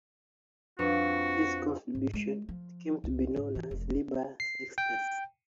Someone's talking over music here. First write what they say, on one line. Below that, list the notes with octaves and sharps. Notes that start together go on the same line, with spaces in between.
His contribution came to be known as the "Liber Sextus".
F2 D4 F#4 B4
G#2
G#3
F3
C#2
G#2
E3
F1
C7
G5